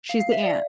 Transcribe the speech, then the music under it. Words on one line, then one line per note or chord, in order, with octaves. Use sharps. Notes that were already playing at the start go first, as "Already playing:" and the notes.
She's the aunt.
F5
F5
E5
D5